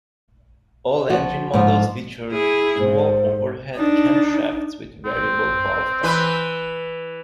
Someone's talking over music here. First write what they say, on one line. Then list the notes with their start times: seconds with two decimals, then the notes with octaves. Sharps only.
All engine models feature dual overhead camshafts with variable valve timing.
1.10 F3 F#4
1.54 G#2 F3
2.31 E4 G#4
2.79 G#2 C5
3.75 D4 D#4
5.05 C4
6.03 E3 B4